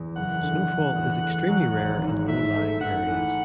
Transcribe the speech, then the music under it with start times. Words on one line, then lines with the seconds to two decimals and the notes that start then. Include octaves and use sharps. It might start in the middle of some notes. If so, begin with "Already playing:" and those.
Snowfall is extremely rare in low-lying areas.
Already playing: E2
0.16 F#1 F#5
0.42 D3
0.69 F#1
0.95 E2
1.22 A3
1.48 F#3
1.76 G#1
2.02 G#2
2.28 G#2 E5
2.55 A3
2.81 G#2 F#5
3.07 E3